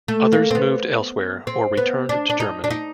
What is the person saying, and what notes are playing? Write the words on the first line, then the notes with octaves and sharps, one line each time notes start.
Others moved elsewhere, or returned to Germany.
A3
A#3
C4
B3
C4
B3
D4
D4
D#4
D4
D#4